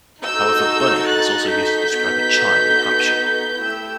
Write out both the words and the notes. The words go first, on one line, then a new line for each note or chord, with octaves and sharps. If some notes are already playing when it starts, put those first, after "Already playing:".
However, 'bunny' is also used to describe a chine in Hampshire.
D#4 F#4 A4 E6 G6
F#6 A6
G6 B6
B3 D#4 F#4 A4
A3 E4 G4 E6 G6